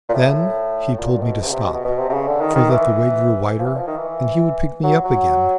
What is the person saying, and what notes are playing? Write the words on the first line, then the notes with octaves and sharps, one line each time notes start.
Then he told me to stop, for that the way grew wider and he would pick me up again.
A#2
A2
A2
A#2
A#2
B2
C3
C#3
C3
B2
B2
B2
C3
C3
C#3
D3
D#3
D#3
E3
F3
E3
F3
D#3
E3
F#3
F#3